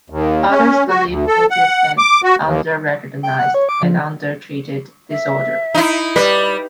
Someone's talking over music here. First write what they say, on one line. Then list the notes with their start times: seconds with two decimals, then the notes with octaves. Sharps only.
Others believe it is an underrecognized and undertreated disorder.
0.10 D#2
0.50 C#4
0.88 F#4
1.07 D2
1.27 A4
1.50 F#5
1.98 D6
2.23 F#4
2.43 D#2
3.23 G5
3.39 F#5
3.54 C#5
3.69 D6
3.83 F3
5.11 E5
5.74 D#4 E4
6.16 G3 B4 D5